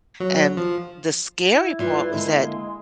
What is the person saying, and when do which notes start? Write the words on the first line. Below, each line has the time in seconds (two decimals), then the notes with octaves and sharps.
and the scary part was that,
0.20 F#3
0.57 F3
1.53 E4
1.79 G3 F4 B4 E5
2.13 D3 G#3 A#3 F4